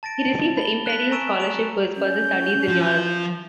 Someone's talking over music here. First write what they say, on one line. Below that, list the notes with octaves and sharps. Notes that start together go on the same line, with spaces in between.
He received the imperial scholarship for his further studies in Europe.
A5 A6 A#6 D7
B5 G7
F#6 B6
G#5 A#5 C#6 E6 D7 E7
D7 E7 F7
C#4 G6
F3